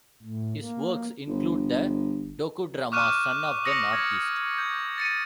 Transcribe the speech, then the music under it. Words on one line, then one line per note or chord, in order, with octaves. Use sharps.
His works include the docudrama "Son of the Northeast".
A2
A#3
G1
C#6 D6 F6 F#6 D#7 E7
D#6 A#6 C#7 F7
G#6
G6
A6 C#7 D#7